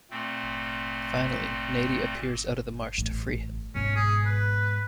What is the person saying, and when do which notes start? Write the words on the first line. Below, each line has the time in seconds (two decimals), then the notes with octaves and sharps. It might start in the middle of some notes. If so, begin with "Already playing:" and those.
Finally, Nady appears out of the marsh to free him.
0.11 A#2 A3 C4
2.98 A1
3.75 G#2 B2 C#4
3.95 G#4
4.25 B4